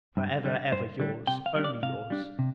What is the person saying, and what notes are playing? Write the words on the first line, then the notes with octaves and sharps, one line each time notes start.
For ever, ever, your's, only your's.
G2
D3 G3
G2 C5
D3 G3
C3 G5
F5
G3 D4
D5
C3 F5
G3 D4
C3